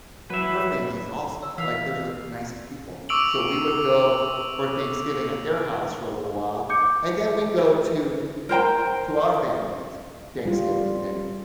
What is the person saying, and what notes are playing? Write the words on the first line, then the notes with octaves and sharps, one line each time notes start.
her family is awesome, like, there's the nicest people, so we would go for Thanksgiving at their house for a little while, and then we go to m to our family's Thanksgiving thing.
F#3 B4 E5
C#5 E6
E3 E5 F5
C#6 D6 E6 D7 F7 F#7
D6 G6 C#7
A#4 C5 G5 A#5
G3 F4